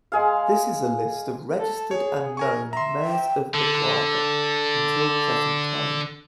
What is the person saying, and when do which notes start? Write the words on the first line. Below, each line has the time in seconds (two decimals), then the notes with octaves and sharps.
This is a list of registered and known mayors of Aguada, until present time.
0.12 G#3 G#4 F5
1.60 A4
1.91 G#4 C#5
2.37 A#4 G#5 C#6
2.73 E5 A#5 C6
3.05 G5
3.54 D3 A4